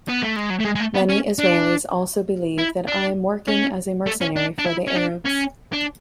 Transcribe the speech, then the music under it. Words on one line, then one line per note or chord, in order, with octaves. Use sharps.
Many Israelis also believe that I am working as a mercenary for the Arabs.
B3
A3
G#3
F#3
A3
G#3
G#3
A3
B3
C#4
D4
E4
D4
C#4
A3
C#4
D4
D4
E4
C#4
D4
C#4
D4